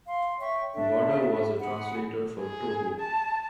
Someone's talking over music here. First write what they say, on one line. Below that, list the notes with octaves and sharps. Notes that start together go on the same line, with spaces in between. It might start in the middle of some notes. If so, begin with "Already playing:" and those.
Wada was a translator for Toho.
F5 C6
C#5 E5 G5 C#6
D4 A4 E5
G#4 F#5 B5
G#4
A5